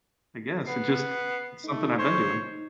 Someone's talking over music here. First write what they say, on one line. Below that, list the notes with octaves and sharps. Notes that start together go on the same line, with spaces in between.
I guess it's just, it's something I've been doing.
B3 C7
A3 D#4
C5 C#5